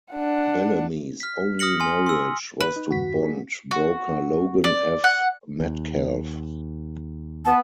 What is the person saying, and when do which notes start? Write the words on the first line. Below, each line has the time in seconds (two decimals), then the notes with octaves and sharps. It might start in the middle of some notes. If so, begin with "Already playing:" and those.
Bellamy's only marriage was to bond broker Logan F. Metcalf.
0.13 D4 F#5
1.20 F6 B6
1.59 D#6 F6 A#6 C#7 F#7
1.80 G#5 C6
2.06 C6 E6
2.60 B4
2.76 D#4
2.91 E2 G2 D#3 F#4 B6
3.22 A#3 D4 G#4
3.71 F#4
4.64 D5
5.04 F#5
5.60 D#2
7.45 B3 A5